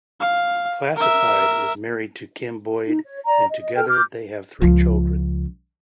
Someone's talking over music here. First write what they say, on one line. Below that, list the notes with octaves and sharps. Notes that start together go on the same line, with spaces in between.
Classified is married to Kim Boyd and together, they have three children.
F5
A#4 E5
D#4
C#5
D5 A#5
D#5
A4 G5 F6
D6 F6 G6
C#2 F3